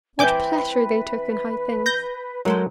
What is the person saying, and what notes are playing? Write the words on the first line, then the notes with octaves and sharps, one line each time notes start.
What pleasure they took in high things!
E3 C4 B4 G#5 D6 G6
G6 A#6
F#3 G#3 A4 A#4 C5 C#5